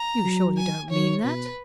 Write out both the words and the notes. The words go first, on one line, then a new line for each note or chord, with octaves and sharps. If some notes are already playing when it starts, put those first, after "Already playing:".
"You surely don't mean that?"
Already playing: A#5
F#3
G#5
D#3 C#5
B2 B4